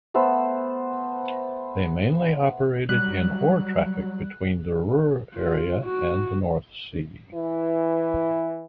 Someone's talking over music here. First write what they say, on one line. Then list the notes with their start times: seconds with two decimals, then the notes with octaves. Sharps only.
They mainly operated in ore traffic between the Ruhr area and the North Sea.
0.14 A3 B3 C5 E6
2.89 F#3 G3 F#6
5.34 F4
5.84 F#4
7.35 E3 E4